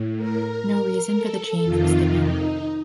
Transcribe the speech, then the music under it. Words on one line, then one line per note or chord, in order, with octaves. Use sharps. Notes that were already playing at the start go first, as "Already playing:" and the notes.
No reason for the change was given.
Already playing: A2
A#4
A4
F2 C3 D#3 F4
D#4